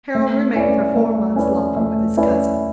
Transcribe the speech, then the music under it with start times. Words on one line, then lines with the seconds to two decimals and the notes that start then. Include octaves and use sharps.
Harold remained for four months longer with his cousin.
0.15 A3
0.56 C#4 E4 B4 D5
0.96 A3
1.36 C#4 E4 B4 D5
1.76 A3
2.17 C#4 E4 B4 D5